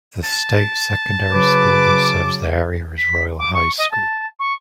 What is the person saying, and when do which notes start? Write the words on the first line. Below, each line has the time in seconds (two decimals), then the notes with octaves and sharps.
The state secondary school that serves the area is the Royal High School.
0.24 A5
1.31 C#3 F#3 B4 D6
2.98 B6
3.39 D6
3.54 C#6
3.78 D#5
3.91 A5
4.39 C#6